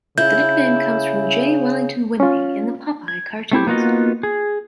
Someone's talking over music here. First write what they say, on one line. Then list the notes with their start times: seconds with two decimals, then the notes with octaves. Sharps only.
The nickname comes from J. Wellington Wimpy in the Popeye cartoons.
0.18 C#3 E4 G6
2.20 C#4 F4
3.08 G#6
3.52 A3 C4 E4 G4
3.67 A#3 B3 D#4 F4 F#4 D#5
4.23 G#4